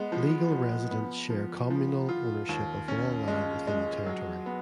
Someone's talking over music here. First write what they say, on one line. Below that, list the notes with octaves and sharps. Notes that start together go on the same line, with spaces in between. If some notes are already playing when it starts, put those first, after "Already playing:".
Legal residents share communal ownership of all land within the Territory.
Already playing: G#3 B3
F3
F3
B3
F3
F3
F4
D#2
C#4
G#3
G#3
F#3
B3